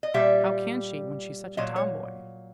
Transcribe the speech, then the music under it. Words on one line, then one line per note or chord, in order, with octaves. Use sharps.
"How can she, when she's such a tomboy?"
D#5
A#2 G3 E5
A#2 F#3 D#5
C#5